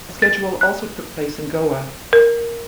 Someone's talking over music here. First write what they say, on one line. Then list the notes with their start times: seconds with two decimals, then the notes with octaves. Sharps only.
A schedule also took place in Goa.
0.22 A6
0.61 F#6
2.13 A#4